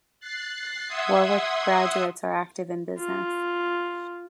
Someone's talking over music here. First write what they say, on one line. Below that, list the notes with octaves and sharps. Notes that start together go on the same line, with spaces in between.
Warwick graduates are active in business.
F#6 A6 C7
E5 F#5 C6 D#6 E6 G#6
F4